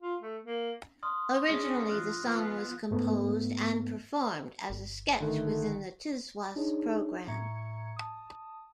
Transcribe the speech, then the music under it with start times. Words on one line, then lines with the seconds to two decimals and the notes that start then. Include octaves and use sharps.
Originally the song was composed and performed as a sketch within the "Tiswas" programme.
0.03 F4
0.21 A3
0.44 A#3
1.03 C6 D#6 F6
1.49 C#4 D4 G#4 A#6
1.90 E3 F4 F6 F#6
2.21 F3 B3 F4
2.91 G#2 A3 B3
4.70 G1
5.20 D3 D#3 A3
6.56 D4 D#4 G#4 C#5
7.27 A2 E5 A#5 C#6 G#6 C#7
7.96 A5 D#6